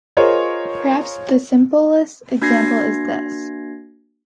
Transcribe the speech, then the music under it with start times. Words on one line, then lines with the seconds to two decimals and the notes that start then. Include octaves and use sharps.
Perhaps the simplest example is this.
0.17 F4 G#4 A#4 C5 C#5 D#5
2.42 A#3 D4 F#4 G#6 A#6 C7